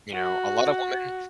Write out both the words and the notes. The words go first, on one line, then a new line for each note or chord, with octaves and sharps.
you know, a lot of women
F#4